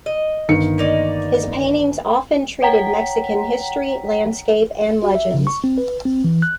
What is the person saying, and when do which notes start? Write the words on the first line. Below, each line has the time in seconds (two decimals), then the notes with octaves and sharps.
His paintings often treated Mexican history, landscape, and legends.
0.06 D#5
0.48 G1 D#3 C#7
0.78 A#3 D#4 D5
2.62 C#5 F#5 G5 A#5 B6
5.03 F#4
5.15 E5
5.34 C#3
5.47 C#6
5.64 C4
5.78 B4
6.05 C4
6.24 E3
6.42 F#6